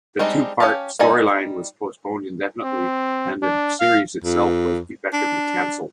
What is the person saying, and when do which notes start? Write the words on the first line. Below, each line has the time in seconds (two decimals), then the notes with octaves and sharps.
The two-part storyline was postponed indefinitely and the series itself was effectively cancelled.
0.19 G3 G#3 C4 D4 D#4
0.60 C#4 D#4 G4 F5 A5
0.99 G3 D#4 D5 G#5
2.63 C4
3.43 D4
3.80 F5
4.24 F2
5.13 D4